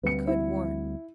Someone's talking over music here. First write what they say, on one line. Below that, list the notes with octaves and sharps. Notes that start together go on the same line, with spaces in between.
He could warn.
D2 G3 C4 B4 C#7
E4